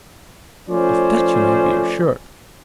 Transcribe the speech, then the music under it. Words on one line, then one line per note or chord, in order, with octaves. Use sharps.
Of that you may be assured.
F3 A3 C#4 C5 D5